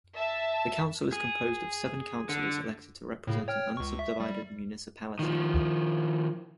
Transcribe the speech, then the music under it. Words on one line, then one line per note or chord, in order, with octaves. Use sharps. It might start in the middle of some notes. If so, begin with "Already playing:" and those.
The council is composed of seven councillors elected to represent an unsubdivided municipality.
E5 A5
G#4
D3
A2 C#3
C#5 G5 F6
C#2 C#6
E5
G3
D#3 F3